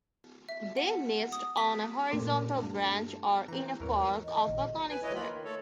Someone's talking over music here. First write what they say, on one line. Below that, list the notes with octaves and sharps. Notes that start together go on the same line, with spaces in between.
They nest on a horizontal branch or in a fork of a conifer.
E5
F#5
D#6
B6
A#2 A#4 C6 D6
G2 A3 A5
E3 C4 A#5
D#2 G#2 E3 A#4 C#5
D#5
A1 A#2 D#3
B4 G#5
D2 E4 B4 C#5 D#5
A#3 F4 B5
D#3
A3 A4 C#5